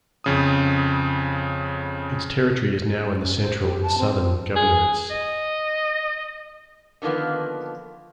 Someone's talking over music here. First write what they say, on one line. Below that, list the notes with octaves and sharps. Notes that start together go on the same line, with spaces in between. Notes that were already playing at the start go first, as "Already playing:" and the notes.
Its territory is now in the Central and Southern Governorates.
F2 C#3 D#6
C#4
C5
G4
A5
C4
G#4
D#5
D3 D#3 F3 A#3 B3